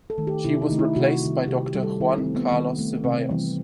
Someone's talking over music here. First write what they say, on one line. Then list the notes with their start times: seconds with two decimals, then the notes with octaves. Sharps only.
She was replaced by Doctor Juan Carlos Zevallos.
0.10 A4
0.18 D#3 A3
0.27 G4
0.45 C3 E4
0.62 D#4
0.70 D#3 A3
0.79 E4
0.96 C3 F#4
1.22 D#3 G3
1.48 C3 G4
1.66 G4
1.74 D#3 G3
1.83 A4
2.01 D#3 E4
2.18 C4
2.27 A3
2.35 B3
2.52 D#3
2.79 A3
3.04 C3 C4
3.30 E3 G3